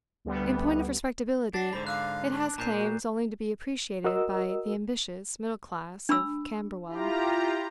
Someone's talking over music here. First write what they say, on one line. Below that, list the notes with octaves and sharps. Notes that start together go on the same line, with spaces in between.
In point of respectability, it has claims only to be appreciated by the ambitious middle-class of Camberwell.
D2 G3 B3
D4 F#5 A6 A#6 C7
G#2 D3 C5 B5
F5 D6 E6 F#6
D4
A#2 A#5 G6 C7
F#4
F#4 A#4 D#5 E6
D4 B5 E6
E4 F4 G4 A#5